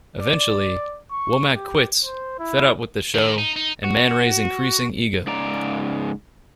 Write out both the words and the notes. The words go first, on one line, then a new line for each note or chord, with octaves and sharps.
Eventually, Womack quits, fed up with the show and Manray's increasing ego.
D5
C#6
G4
C5
E4
D#3
D#4
D#4
F#4
G#2 C#3 D5 A#5